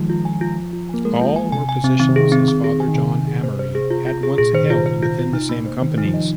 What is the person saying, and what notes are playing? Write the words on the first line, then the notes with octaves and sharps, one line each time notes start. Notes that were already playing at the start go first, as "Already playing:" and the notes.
All were positions his father, John Amory, had once held within the same companies.
Already playing: D#3 F3 G#3
F4
G#5
F4
F4
F4
A#3 G#5
G#3 A#4
F4
G#5
C3 G#5
G#5
C3 C4
D#3 C4
C3
D#3 G#4
C4
C4
G#4
G#5
D#3
C3 G#5
G#5
G#4
C5
C5
G#4
F4
F4
G#4
A#2 G#4
D#3 C5
C3
F4
C5
F4
F4
D#4
A#3
C5
D#3 C5
D#4
F3
D#5